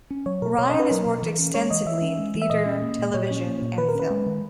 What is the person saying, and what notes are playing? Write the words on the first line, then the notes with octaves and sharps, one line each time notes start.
Ryan has worked extensively in theatre, television and film.
C#4
F#3 C#5
B2 A#4
B2 C#5
C#4 D#5
B4
F#3 A#4
B2
E3
C#4
G#3 C#5
E3 D#5
E3 E5
C#4
G#3
E3
E5
A#2 D#5
C#4
A#3
A#2
A#2 C#5
C#4
A#3
A#2
D#3 B4
A#4
C#4 B4
G#3
D#3